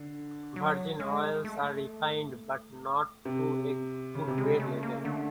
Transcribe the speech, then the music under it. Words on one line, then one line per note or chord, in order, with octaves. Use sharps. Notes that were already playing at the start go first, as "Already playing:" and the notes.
Virgin oils are refined, but not to a food-grade level.
Already playing: D3
F#3
G#3
A3
C3
C#3
C3
C#3 G#3
A3
A#3
D3 A3